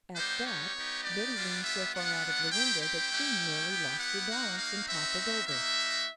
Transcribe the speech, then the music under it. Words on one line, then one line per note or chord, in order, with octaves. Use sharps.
At that, Betty leaned so far out of the window that she nearly lost her balance and toppled over.
G3 B3 D#4 G4 C5
C#5
B3 D#4 G4
D5
G3 B3 D4 F4
E5
G3 B3 D4 F4 F#5
C4 E4 G4 G5
G5
A3 C#4 E4 G4
B3 E4 G4
F#5
A#3 D#4 F#4
F5
C4 D#4 F#4 E5
A#3 D#4 F#4 E5